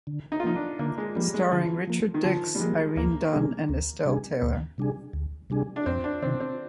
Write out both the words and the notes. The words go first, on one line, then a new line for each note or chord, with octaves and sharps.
Starring Richard Dix, Irene Dunne and Estelle Taylor.
D3
D#4
F4
F3 A#3 D#4
D4
D3 A#3
G#3
F3 G3 A#3
G#3
D3 F3
F3 A#3
D#3
D3 F3
G3
F3 G#3 A#3
D2 A#3
C3 G3 D4 G#4
D2
C3 G3 D4 G#4
D2
C3 G3 D4 G#4
D2
C3 G3 D4 G#4
D4
F2 C4
D4
C3 D#3 C4
C4